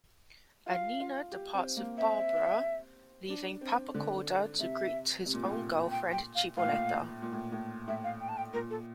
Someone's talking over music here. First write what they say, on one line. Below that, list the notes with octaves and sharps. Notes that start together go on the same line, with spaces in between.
Annina departs with Barbara, leaving Pappacoda to greet his own girlfriend, Ciboletta.
F4 F5
F4
G4
C4
A#3
C4 E5
D4
C4
D3
C3 E5
C3
A#2
A2
A#2
G5
G5
F5
A2 F5
A#2
A2
A#2
A2
A2
A2 E5
F5
G5
A5
G5
A#2 A#4
A4